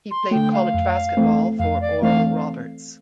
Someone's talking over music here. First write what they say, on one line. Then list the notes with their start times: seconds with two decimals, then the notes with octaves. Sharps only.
He played college basketball for Oral Roberts.
0.11 C6
0.31 D3 A3 G5
0.53 F5
0.74 F2
1.17 E3 A3 C4
1.59 F2 F5
1.81 D5
2.02 E3 A3 C4 F5